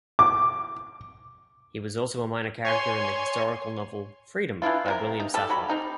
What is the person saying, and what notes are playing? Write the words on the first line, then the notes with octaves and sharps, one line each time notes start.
He was also a minor character in the historical novel "Freedom" by William Safire.
D6
C#5 G#5 C6
E3 D4 E4 F4
C3 E4 A#4
D#4
G3 A4
F#3 B5
C4 D#4 G4